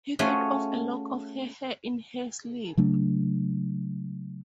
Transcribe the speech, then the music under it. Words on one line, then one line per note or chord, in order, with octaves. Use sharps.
He cut off a lock of her hair in her sleep.
A3 C#4 F4 F#4 G#4
C#3 F#3 A3 D4